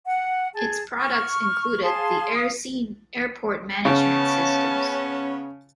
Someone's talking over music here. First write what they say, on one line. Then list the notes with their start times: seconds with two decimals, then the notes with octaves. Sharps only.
Its products included the 'AirScene' Airport Management systems.
0.07 F#5
0.54 G#4 A5
0.99 C#6 F6
1.82 G#4 F5 A5 C6
2.34 F5 D#6
3.85 C#3 B3 C#4 A5